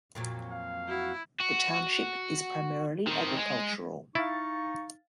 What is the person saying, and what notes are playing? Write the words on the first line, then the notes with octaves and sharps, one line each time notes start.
The township is primarily agricultural.
F2 A#2 F#3
F5
E4 F#4
F#4
D#3 C4
G#3
D#4 E4 F5 C#6 A6